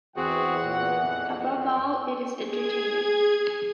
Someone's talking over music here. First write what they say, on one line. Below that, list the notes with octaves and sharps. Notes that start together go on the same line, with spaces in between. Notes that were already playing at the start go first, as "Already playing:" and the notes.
Above all, it is entertaining.
E2 E3 C4 F#4 G#4 F#5
A#2
F2
G#4 G#6